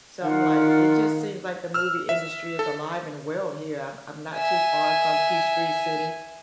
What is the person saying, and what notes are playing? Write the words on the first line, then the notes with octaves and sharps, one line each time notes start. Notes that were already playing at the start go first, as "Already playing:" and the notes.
something like it just seems, like, the movie industry is alive and well here. I'm I'm not too far from Peachtree City
D#3 F4 F5 F#5
E6 F6
E5
A4
E5 G#5